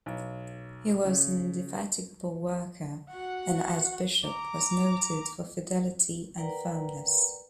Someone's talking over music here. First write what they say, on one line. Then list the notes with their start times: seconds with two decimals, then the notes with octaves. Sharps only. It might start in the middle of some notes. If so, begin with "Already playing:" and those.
He was an indefatigable worker and as bishop was noted for fidelity and firmness.
0.06 B1
1.05 C#3
3.10 F#4 F#5
4.25 A#5 D6
6.38 A#4 B4 D5 F#5 G5 A#5